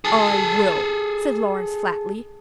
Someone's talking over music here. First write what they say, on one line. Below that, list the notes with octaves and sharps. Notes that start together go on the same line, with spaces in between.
"I will," said Lawrence flatly.
G#4 A4